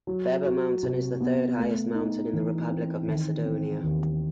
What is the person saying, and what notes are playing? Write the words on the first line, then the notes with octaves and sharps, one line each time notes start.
Baba Mountain is the third highest mountain in the Republic of Macedonia.
F#3
F#4
C3
B3
A3
D#4
E3
C4
D#3
C4
D#2